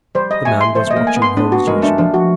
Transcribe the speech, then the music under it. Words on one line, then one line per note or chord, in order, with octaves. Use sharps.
The man was watching her as usual.
G3 C5
D#5
A3 G#5
C6
A3 C5
A3 D#5
A#3
G#5
B3
C6
B3 D4
F#4
G#3 A#4
A3 D4
F3 D4
F#4